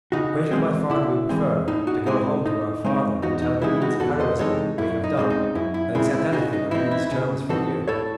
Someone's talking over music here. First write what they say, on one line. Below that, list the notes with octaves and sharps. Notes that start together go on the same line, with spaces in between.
Greater by far do we prefer to go home to our father and tell the deeds of heroism we have done, than accept anything on these terms from you.
C#3 D#4 F#4
E3 G#3 C4
C#3 E4
E3 G#3 C4
A2 D#4
D#4 F#4
G#3 C4 D#4 E4 G#4
A2 D#4
G#3 C4 D#4
E2 D#4 F#4
D#4
C3 E3 G#3 D#4 E4
D#4 F#4
E2 F#4 A4
C5 D#5
C3 E3 G#3 D#4 A4 C#5
F#2 E4
D#4
C#3 G#3 C4
D#4
F#2 E4
E4
C#3 G#3 C4 E4
E4
C#3 D#4 F#4
D#4
E3 C4 D#4 E4
E4
C#3
E3 C4 D#4 F#4 A4
A2 A4 C#5